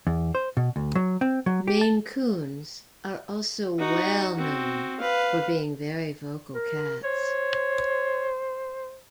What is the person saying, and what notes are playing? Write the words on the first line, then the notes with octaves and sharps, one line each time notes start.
Maine Coons are also well known for being very vocal cats.
E2
C5
B2
D2
F#3
C4
F#3
G4
A5
D#4 F#4
C4 F#4
B4 F5
A#4
C5 C#5